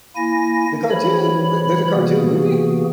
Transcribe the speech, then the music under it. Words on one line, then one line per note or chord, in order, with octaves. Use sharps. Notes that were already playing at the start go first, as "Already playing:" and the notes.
the cartoon? Wait, there's a cartoon movie?
A#3 E4 G#5 A#6
E3 F3 C#5 B5
C3 E3 A#3 B3 F#4 G#4